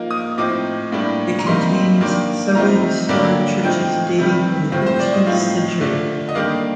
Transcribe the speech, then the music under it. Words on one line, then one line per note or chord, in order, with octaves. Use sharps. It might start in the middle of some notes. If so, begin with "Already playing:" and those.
It contains several historic churches dating from the fifteenth century.
Already playing: F3 A#3 D#4
D#6
A2 F3 C4 D#4 D6
A2 G3 A#3 D4
A#5
C3 G3 A#3 D#4 C6
D#3 A#3 D4
C3 F3 A3 C4 D#4 A#5
D3 G3 A#3 D4
A2 F3 C4 D#4 G5
C3 D#3 G3
A2 F3 C4
C5
D5
D#5
A2 F3 C4 D#4 F5
D3 F3 A3 D4
D#5
D#3 G3 A#3 D4 F5